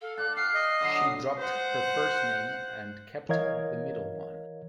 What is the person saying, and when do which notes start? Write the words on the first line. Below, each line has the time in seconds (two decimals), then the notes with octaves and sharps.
She dropped her first name and kept the middle one.
0.02 A4 F5
0.17 D5 F5 A5 F#6
0.36 G5 F6 C7
0.54 D#5
0.81 D3 F#3 D#6
1.00 B4
1.38 C5 F#5
3.29 E3 A#4 C#5 D#5 F5 G#6